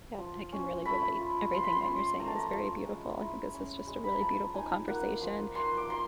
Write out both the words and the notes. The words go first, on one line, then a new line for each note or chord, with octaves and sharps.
Yep, I can really relate; everything that you're saying is very beautiful. I think this is just a really beautiful conversation,
F3
C#4
A3 B5
F4
F3 C6
B5
C6
C#4
A3 A#5
A5
A#5
F3
G#3
E4
C#4
G#3
B5
A#5
F3 A5
D#4 G#5
A#3 F#5
F3
A#3 C6
D6
A#3 C6